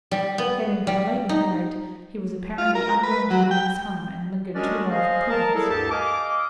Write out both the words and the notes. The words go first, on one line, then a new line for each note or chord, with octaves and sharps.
Having been lately married, he was apparently unwilling to leave his home, and lingered too long for prudence.
G3
B3
G3
D#4
F4
A#4
B4
F#3
G5
G#3 C#4 D4 F#4 A#4 D5
G#4 C5 D#5 F5
A#4 A5
G3 E4 G#4 A4
D2 G2 G4 A5
D#5 F5 G#5 D6